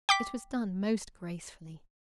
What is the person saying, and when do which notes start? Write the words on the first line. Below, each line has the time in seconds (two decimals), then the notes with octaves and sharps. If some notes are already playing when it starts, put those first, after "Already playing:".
It was done most gracefully.
0.09 G5 D6 B6